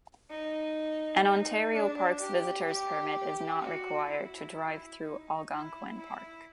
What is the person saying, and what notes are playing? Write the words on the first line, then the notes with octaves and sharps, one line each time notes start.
An Ontario Parks visitor's permit is not required to drive through Algonquin Park.
D#4
D#4
D4
G4
G4
F#4
E4
D#4
E4
E4